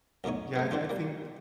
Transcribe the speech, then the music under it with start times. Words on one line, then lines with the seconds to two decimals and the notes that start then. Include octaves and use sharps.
yeah, th I I think
0.24 B1 F#2 A3 D#4 C#5
0.56 A3 B3
0.71 D3 F3 C4 F4
0.89 G3 A#3